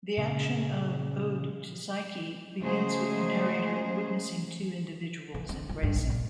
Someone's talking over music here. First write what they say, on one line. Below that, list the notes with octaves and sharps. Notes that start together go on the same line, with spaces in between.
The action of "Ode to Psyche" begins with a narrator witnessing two individuals embracing.
A#2 C#3
C#3 F#3 G#3 A3 G#4 C5
E3
C4
F3
G2
A#1
A#2